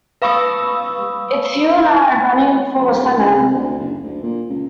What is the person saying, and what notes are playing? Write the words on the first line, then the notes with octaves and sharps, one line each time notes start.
It's you and I running for the Senate.
B4 F5 B5 C#6 D#6 E6
F2
D1
C#2
C3
D2
F#1
D2
A#2
C#2